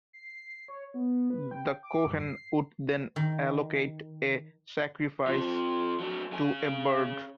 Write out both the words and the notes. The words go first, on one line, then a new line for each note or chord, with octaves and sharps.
The Kohen would then allocate a sacrifice to a bird.
C7
C#5
B3
B4
G5
D6
G2
C7
D#3
F3 C4
F#3 D4
C#3 G#5